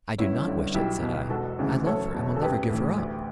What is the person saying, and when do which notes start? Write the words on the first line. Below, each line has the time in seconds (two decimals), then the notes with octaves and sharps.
"I do not wish it," said I. "I love her, and will never give her up."
0.18 G1 C#4 E4
0.47 G2 D3
0.74 B1 E4 G4
1.03 B2
1.30 E1 F#4 A4
1.59 D2 C#3 E3
1.86 F#1 A4 C#5
2.14 E2 B2
2.36 A4
2.42 A1 G4 B4
2.70 A2 E3
2.98 D2